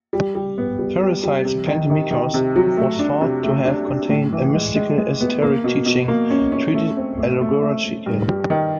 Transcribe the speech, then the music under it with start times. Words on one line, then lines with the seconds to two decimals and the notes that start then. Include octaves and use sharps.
Pherecydes' "Pentemychos" was thought to have contained a mystical esoteric teaching, treated allegorically.
0.13 G3
0.35 G3
0.58 B3
0.79 G3
1.01 G3
1.23 G3
1.45 C3
1.67 D#3
1.90 D#3
2.11 D#3
2.34 C3
2.56 F#3
2.77 A3
2.99 D4
3.21 C3
3.43 A3
3.65 D4
3.88 D4
4.09 A2
4.32 E3
4.54 G#3
4.75 G#3
4.98 G#3
5.20 B3
5.42 A#3
5.64 B2
5.86 B2
6.08 A#3
6.31 C#4
6.52 C#4
6.74 A3
6.97 C4
7.18 A3
7.41 A3
7.62 A3
7.84 A3
8.06 G2
8.28 G3
8.50 D#3